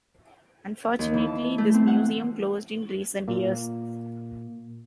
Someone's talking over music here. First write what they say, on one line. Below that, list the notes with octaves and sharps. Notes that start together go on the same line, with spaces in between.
Unfortunately, this Museum closed in recent years.
D#2
E3
A5
A3
C4
F#5
A#2 A#3